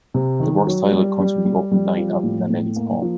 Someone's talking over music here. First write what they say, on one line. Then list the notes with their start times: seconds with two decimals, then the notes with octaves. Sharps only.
The work's title comes from the opening line of Mameli's poem.
0.14 C3
0.40 D#3
0.67 F#3
0.92 G3
1.20 G3
1.45 G3
1.72 G3
1.97 F3
2.23 A2
2.50 A2
2.76 A#3
3.02 F3